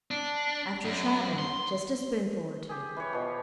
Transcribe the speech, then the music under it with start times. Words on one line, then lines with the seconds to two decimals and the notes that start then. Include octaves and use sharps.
After travellin'--just a spoonful or two.'
0.11 D4
0.85 F#2
1.39 C6
2.69 G4 G#4
2.96 E3 C#5
3.13 B2 F3